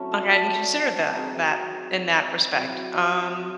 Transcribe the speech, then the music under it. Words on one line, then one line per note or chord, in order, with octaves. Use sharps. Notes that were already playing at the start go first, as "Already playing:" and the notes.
I hadn't considered that that in that respect. Um
Already playing: F#3 A3 C4 C#4 E4 C#5
A4 A5
F#3 C4 D#4 G#4 G#5
F#3 C4 E4
F#4 F#5